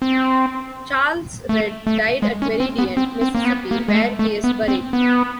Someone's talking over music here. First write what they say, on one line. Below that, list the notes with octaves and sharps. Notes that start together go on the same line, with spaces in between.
Charles Read died at Meridian, Mississippi, where he is buried.
C4
A3
A3
G#3
C#4
C4
B3
C4
C4
A#3
B3
A#3
G#3
A3
A3
B3
C4
B3